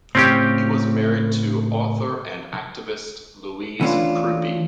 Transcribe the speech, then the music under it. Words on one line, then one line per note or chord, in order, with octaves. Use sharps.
He was married to author and activitist Louise Cruppi.
A2 C#3 C4 C#4 G4 C#5
E3 A3 C#4 D4 F4